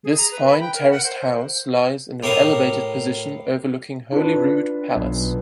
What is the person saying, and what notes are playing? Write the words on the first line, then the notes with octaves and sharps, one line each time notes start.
This fine terraced house lies in an elevated position overlooking Holyrood Palace.
G#4
A#5
B4
B5
G5
A#4
F#5
C5
A2 G4 A#4 E5 F5 D#6
D4 F4 B4
B1